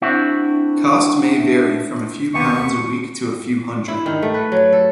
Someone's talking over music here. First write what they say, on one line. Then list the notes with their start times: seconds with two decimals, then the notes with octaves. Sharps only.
Cost may vary from a few pounds a week to a few hundred.
0.02 C4 D4 E4 F#4
2.34 D#2 C3 A#3 B3 C#6
3.88 E4
4.06 D#3
4.22 A3
4.34 B4
4.52 F#3
4.73 A4